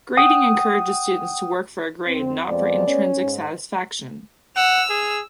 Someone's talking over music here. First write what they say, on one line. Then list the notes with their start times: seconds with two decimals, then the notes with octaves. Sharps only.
Grading encourages students to work for a grade and not for intrinsic satisfaction.
0.17 F#5 G5 D#6
2.08 F2 C4
2.48 F2 G#3 B3 D5
2.87 C#4
3.21 G#2
4.56 F#5 E6 F7
4.90 G#4